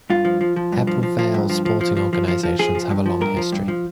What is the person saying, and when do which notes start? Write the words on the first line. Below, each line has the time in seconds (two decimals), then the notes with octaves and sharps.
Ebbw Vale sporting organisations have a long history.
0.10 G2 F4
0.25 F3
0.41 F3
0.56 F3
0.72 G2
0.87 F3
1.03 F3
1.19 F3
1.34 G2
1.50 F3
1.65 F3
1.81 F3
1.97 F3
2.13 F3
2.28 F3
2.43 F3
2.59 F3 G#4
2.75 F3
2.90 G2
3.06 F3
3.21 G2 A#4
3.37 F3
3.52 G2
3.68 F3